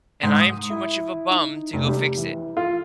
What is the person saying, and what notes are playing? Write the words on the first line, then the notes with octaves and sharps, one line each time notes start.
and I am too much of a bum to go fix it.
G#2
D#6
E4
D#4
F1
G3
E3
F4